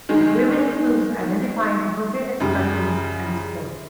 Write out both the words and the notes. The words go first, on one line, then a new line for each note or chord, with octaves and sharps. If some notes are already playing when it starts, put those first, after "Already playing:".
The agreement includes identifying appropriate expertise and support.
D#3 G#3
F#2 C#3 G3